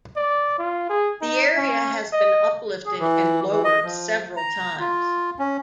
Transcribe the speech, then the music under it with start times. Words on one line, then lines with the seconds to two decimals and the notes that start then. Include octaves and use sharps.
The area has been uplifted and lowered several times.
0.17 D5
0.59 F4
0.89 G#4
1.21 D#4
1.57 C#4
2.13 D#5
2.86 G#4
3.00 E3
3.51 E3
3.64 D#5
3.84 F3
4.37 A#5
4.80 F4
5.39 C#4